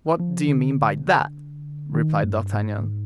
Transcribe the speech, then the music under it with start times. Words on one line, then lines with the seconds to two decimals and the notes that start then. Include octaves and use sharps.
"What do you mean by that?" replied D'Artagnan.
0.20 F3
0.48 D3
1.94 D#3
2.24 G2
2.53 G#2